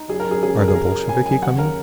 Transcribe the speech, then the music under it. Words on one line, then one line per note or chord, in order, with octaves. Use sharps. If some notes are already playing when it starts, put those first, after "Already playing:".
"Are the Bolsheviki coming?"
Already playing: D#4
F#1 G#4
A#4
F#2
G#4
C#3 G#4
F#1 A#4
G#4
F#1 A#4
A#4
F#2
C#3 G#5
F#1 G#5
D#2 F#5
C#3 A#4